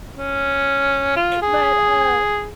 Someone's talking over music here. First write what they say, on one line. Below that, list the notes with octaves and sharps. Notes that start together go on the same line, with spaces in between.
but, uh
C#4
F4
G#4